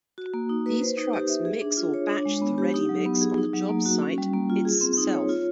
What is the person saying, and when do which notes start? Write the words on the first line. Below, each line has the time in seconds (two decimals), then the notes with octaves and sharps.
These trucks mix or batch the ready mix on the job site it's self.
0.18 F#4
0.34 A#3
0.49 D#4
0.66 B4
0.82 C5
0.97 D#4
1.13 G4
1.29 E5
1.45 G#4
1.62 D4
1.77 F4
1.94 C#5
2.09 D4
2.26 G#3
2.42 B3
2.58 G4
2.74 D#4
2.89 F#3
3.06 B3
3.21 G#4
3.38 D#4
3.53 F#3
3.69 A#3
3.86 F#4
4.02 C#4
4.18 G3
4.34 A#3
4.50 F4
4.65 G#4
4.81 C4
4.97 D#4
5.13 C#5
5.29 F4